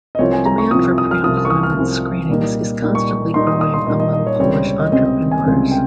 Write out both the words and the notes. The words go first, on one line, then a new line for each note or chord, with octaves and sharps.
The demand for pre-employment screenings is constantly growing among Polish entrepreneurs.
D#5
C2 C3 F3 C4 F4 C#5
G#5
A#5
C#6
C2 C3 F3 C4 F4 D#6
D#6
D#6
F6
C2 C3 F3 C4 F4 D#6
D#6
C#6
D#6
F6
C2 C3 F3 C4 F4
A#2 G3 A#3 D#4
A#2 G3 A#3 D#4
C#6
A#2 G3 A#3 D#4 C6
D#6
D#6
C6
A#2 G3 A#3 D#4 D#5
D#5
D#5
C#5
C#2 C3 G3 C4 C#5
C#5
C#5
D#5
C#2 C3 G3 C4 D#5
D#5
G#5
C#2 C3 G3 C4
G5